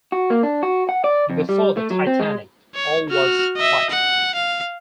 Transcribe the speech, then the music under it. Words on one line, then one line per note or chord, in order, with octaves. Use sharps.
Before the "Titanic", all was quiet.
F#4
A#3
D4
F#4
F#5
D5
F2
G3
A3
F#3
C4
G#3
C#5
F#4 F6
D#5 E5
F#5
F5